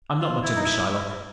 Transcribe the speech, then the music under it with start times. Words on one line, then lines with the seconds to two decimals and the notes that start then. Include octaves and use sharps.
I'm not much of a Shylock.
0.20 F4
0.42 E4
0.56 D#4
0.64 E4